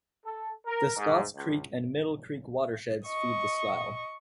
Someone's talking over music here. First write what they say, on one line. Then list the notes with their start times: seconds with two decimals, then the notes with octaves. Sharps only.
The Scotts Creek and Middle Creek watersheds feed the slough.
0.24 A4
0.66 A#4
0.97 G#2
1.35 C#2
3.07 D#5 C#6